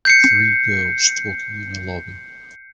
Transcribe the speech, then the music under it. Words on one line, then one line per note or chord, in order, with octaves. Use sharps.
Three girls talking in a lobby.
G6 C7 C#7